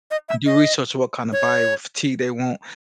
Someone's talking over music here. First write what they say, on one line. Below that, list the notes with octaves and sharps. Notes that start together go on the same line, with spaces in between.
do research on what kinda body or physique they want,
D#5
E5
D#5
C#5